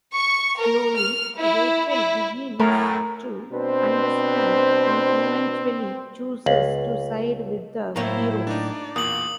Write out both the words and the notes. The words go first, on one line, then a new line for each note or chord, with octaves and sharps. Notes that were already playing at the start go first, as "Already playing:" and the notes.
Slowly, Rachel begins to understand and eventually chooses to side with the heroes.
C#6
A#4
F6
E4
E4
F#2 A2 A3 A#4
B2 C4 D4 B4 C5
C#2 C#5 F5 F#7
A2 F#3 A#3 E4 C5 A#5
D4 D#4 D5
E2 A#2 A#3 D#6 F#7